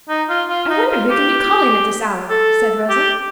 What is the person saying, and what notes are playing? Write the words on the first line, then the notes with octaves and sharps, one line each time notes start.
"I wonder who can be calling at this hour," said Rosa.
D#4
F4
F4
D#4
F4
G4
A4
G4